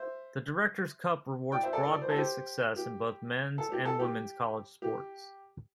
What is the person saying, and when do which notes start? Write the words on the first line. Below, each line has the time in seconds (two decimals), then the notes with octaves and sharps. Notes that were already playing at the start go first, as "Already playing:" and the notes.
The Directors' Cup rewards broad-based success in both men's and women's college sports.
Already playing: C5 E5
1.52 D5 G5
1.63 C5 E5
1.73 A4 D5
1.83 A4 D5
1.93 D5
2.02 C5
2.09 A4
2.16 G4 C5
2.76 G4
3.58 A4
3.72 G4
3.85 A4
3.99 G4
4.82 G4